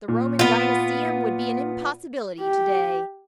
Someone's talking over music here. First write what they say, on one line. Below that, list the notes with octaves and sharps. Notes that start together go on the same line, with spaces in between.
The Roman Gynaeceum would be an impossibility to-day.
A#2
B3 F4
G4